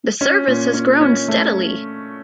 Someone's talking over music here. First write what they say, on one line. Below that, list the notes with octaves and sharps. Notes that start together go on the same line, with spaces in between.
The service has grown steadily.
C#4
A#2
C#4
C#4
A3